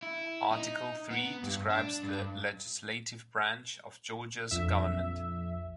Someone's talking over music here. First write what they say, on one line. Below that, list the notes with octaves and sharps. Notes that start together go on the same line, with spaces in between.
Article Three describes the Legislative Branch of Georgia's government.
E4
D#4
B3
G2
D4
G2
A#1 F2 E5